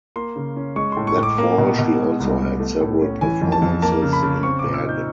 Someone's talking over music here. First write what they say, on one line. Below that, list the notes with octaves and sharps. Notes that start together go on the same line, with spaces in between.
That fall she also had several performances in Bergen.
A#3 C6
C#3
C#4
G#3 C#6
A2 C6
C#6
A2
D6
A#3
B2
B2
G#3
C2
B3
A3
A2
C#4
E3 G#5
F2
A5
F2
A#3 A5
C#3
B5
C#3
C4 C#6
A#2 D6
E6
D#4 G6